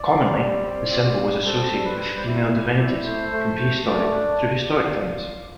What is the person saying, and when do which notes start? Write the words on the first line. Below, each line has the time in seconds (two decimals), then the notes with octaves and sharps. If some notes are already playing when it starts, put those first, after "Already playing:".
Commonly, the symbol was associated with female divinities, from prehistoric through historic times.
Already playing: D5
0.11 C4
0.38 G3
0.64 C4
0.91 F4
1.18 G3
1.45 C4 A4
1.71 G3
1.85 B4
1.98 G3
2.17 C5
2.25 E4 D5
2.52 C4
2.79 E4
3.05 A3 C5
3.32 A3
3.59 A3
3.86 A3 D5
4.13 D4
4.40 F4
4.66 F4
4.93 F4
5.20 F4